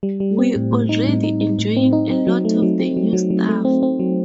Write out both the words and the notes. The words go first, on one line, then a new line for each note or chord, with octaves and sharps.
We're already enjoying a lot of the new stuff.
G3
G3
C4
A2
A2
D#4
A2
D#4
D#4
A2
C4
D#4
C4
F#3
A3
F#3
C4
F#3
F#3
F#3
A3
C4
C4
F#3